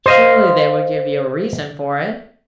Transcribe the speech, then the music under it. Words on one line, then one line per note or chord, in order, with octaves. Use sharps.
Surely they will give you a reason for it.
C5 D#5 F5